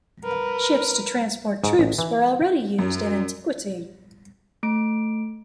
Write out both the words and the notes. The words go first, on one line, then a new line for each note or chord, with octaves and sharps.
Ships to transport troops were already used in Antiquity.
A#4 B4
G#2
A1
E3
F#2
A3 D7